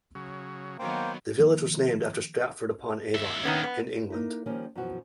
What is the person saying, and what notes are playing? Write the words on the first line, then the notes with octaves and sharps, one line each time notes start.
The village was named after Stratford-upon-Avon, in England.
C#3 F#3
D#3 F#3 A#3 B3 C5 G5
D#3 F3 A#3
D#2 E5
D#3 B3 C#4
B3
A#3 D#4 E4
D#3 F3 G3 A#3 C#4
F#2 B2 E3 F3 F#4